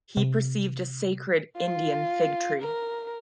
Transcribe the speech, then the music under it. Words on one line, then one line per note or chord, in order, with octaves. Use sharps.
He perceived a sacred Indian fig-tree.
C3
F4
A#4